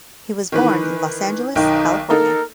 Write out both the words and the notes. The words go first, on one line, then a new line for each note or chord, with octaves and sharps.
He was born in Los Angeles, California.
D#3 E3 B4
B1 D#3 D#4 G5
A#3 D#4 A4 A#4